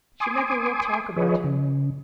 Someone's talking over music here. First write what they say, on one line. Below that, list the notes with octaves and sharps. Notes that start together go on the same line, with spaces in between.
She never will talk about him.
G#5 C6 D6 D#6
F3 G#4 B4 C#5 D#5
C#3